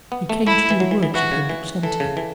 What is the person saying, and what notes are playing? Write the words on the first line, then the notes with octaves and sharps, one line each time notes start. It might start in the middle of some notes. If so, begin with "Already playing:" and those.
He came to do the works of him that sent him.
B3
A3
A3 E4
E3
F#3
E3
E3
E3 F#4
C#3
E3
E3 A4
C#3
E3